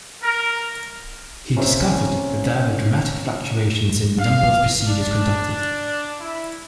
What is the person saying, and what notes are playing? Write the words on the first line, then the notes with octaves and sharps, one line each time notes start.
He discovered that there were dramatic fluctuations in the number of procedures conducted.
A#4
C3 A#3 C4 C#4
F5
D4
E4